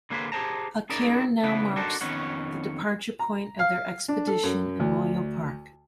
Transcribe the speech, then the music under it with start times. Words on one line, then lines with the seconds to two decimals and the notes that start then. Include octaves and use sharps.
A cairn now marks the departure point of their expedition in Royal Park.
0.10 D3 A#3 G#4 B4 C5
0.32 G4 G#4 A#4 C5 A5 A#5
0.90 C#4 D#4 E4 G#4 A#4 D5
1.43 C#3 E3 B3 E4
1.76 D4 D#4 F#4 A4 A#4 C5
2.01 F2 D#3 B3 C#4 C#5 F#5
3.19 A#5
3.59 F5
4.08 D4
4.27 A4
4.43 F#2
4.80 D2